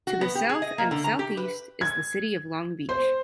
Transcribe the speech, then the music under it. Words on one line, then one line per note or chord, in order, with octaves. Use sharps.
To the south and southeast is the city of Long Beach.
F#4
B3
G4
G#4
D#5
A#3
D3
A#5
G4
B4
G#6
C5